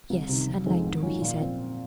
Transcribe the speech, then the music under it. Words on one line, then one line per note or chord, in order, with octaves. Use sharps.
"Yes, I'd like to," he said.
C2
C3 D#3
F1
F2 D#3 G#3 C4
G#2
D#3 F#3 C#4 F4
A#2
F3 C4